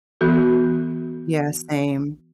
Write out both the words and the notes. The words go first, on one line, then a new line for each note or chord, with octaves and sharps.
Yeah, same.
E3 B3 F#4 A4